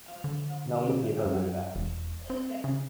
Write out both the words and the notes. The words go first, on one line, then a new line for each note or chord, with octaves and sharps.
Now the people will act.
D3
F#2
E1
C4
C#3